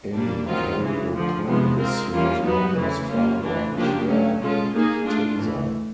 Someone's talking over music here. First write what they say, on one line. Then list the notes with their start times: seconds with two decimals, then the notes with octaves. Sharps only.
In Heliopolis he was known as Father Pierre Taza.
0.15 A#2 G3 A#3 D4
0.47 D#3 F#3 A3 C4 F4
0.79 C#3 E3 G#3
1.13 D3 F3 A3
1.45 C3 F3 G#3 B3
1.78 G#3 C4 F4 A#4
2.11 E3 G3 A#3 C#4 F4
2.43 F#3 B3 D#4 F#4 B4
2.76 C#3 E3 A3 C4 E4
3.08 G3 A#3 C#4 F4
3.41 A2 E3 A3 D4
3.74 C#3 F3 A#3 D4 G4
4.06 F#3 A3 C#4
4.39 B2 G#3 C#4 F4 A4
4.72 A#3 D#4 G#4
5.05 A3 D4 F4
5.37 A2 E3 A3